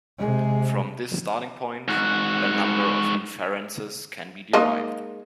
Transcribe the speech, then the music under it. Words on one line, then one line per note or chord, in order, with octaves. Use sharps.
From this starting point, a number of inferences can be derived.
C3 G#3
G#2 F#4
G#3 A#3 D#4